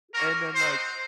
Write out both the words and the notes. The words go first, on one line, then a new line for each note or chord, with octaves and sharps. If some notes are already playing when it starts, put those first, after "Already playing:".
and then, like
A#3 C#4 F#4 A#4
C4 D#4 F#4 C5